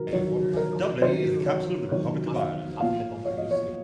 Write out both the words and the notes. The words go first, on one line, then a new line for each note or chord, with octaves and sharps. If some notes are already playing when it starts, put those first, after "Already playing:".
Dublin is the capital of the Republic of Ireland.
Already playing: C3 D#3 F#3 A#4
C3 D#3 F#3 C#5
A#4
C3 D#3 F#3 C5
C#5
C3 D#3 F#3 C#5
F5
A#2 F3 F5
C#5
D#5
C#5